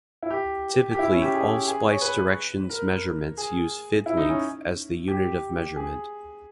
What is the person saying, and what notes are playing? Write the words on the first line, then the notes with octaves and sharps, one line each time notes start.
Typically, all splice directions measurements use fid-length as the unit of measurement.
E4
G4
G4
E4
C#4
G4
G#4
G#4
C#5
B4
A#4
G#4
E4
D#4
C#4
G4
G#4